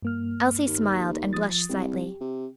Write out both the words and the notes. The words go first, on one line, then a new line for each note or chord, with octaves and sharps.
Elsie smiled, and blushed slightly.
G2 A#3 F6
D#2
F3 D#6 A6
C2 G4
C3